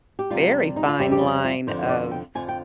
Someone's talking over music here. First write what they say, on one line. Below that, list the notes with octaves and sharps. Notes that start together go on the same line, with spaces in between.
very fine line of
G4
F2 C3 G3 F4
D#4
F4
F2 C3 G3 G4
G4
F4
F4
F2 D3 F3 C5
C5
D5
G5
F2 D3 F3 G#5
G5